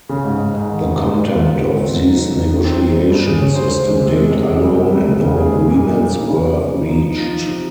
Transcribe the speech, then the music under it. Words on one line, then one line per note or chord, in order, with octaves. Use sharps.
The content of these negotiations is to date unknown, and no agreements were reached.
C#3
G#2
G#2
G#2
D#3
C#3
A#3
G3
F4
G#2
G#2
C4
G#2
D#4
C#3
D#4
D#4
C4
C4
G3
G2
G#4
C#4
C5
C5
G#3
C3
G#3
G#3
C3
G3
C3
G3
G#3
C#3
G#4
G#3
A#2
G3
A#2
A#3
C#3
F3
C#3
F3
D#4
D#4
F3
D#4
C3